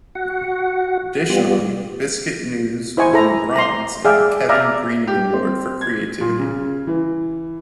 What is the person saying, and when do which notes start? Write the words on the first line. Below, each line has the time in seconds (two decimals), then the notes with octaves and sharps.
Additionally, Biscuit News won Bronze in the Kevin Greening Award for Creativity.
0.15 F#4 F#5
1.30 G3 B3 F4 G4
2.97 E4 C5 D#5 G#5 C#6
3.13 E4 A4 C5 A#5
3.56 A#5 C6
4.05 G#4 D5 E5 F5 G5
4.49 D5 E5 F5 A#5
5.07 G4
5.33 C4
5.81 G#6
6.21 A#2
6.40 C#3
6.87 E3